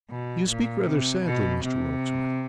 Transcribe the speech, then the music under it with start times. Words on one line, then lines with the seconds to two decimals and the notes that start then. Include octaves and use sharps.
You speak rather sadly, Mr Rokesmith.'
0.10 B2
0.49 A#2
0.87 C3
1.25 B2
1.64 C3